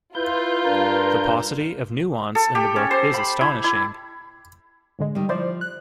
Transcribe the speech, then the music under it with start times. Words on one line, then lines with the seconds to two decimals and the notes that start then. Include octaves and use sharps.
The paucity of nuance in the book is astonishing.
0.15 E4 F4 B4 G6
0.65 G2 D4 A#4
2.35 A4
2.55 G4
2.76 C#4
2.91 C5
3.14 B5
3.41 E4
3.64 E4
4.99 G#2 D3 G#3
5.15 D#3 G3
5.29 F3 E4 C5 D5
5.61 F#6